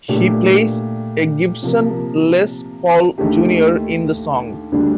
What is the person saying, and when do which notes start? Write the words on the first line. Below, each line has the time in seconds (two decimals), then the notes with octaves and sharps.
He plays a Gibson Les Paul Junior in the song.
0.08 A#2 A3 D4 G4
1.62 C3 F3 A#3
3.18 D#2 D3 A3 D#4 G4
4.72 D2 D3 G3 D4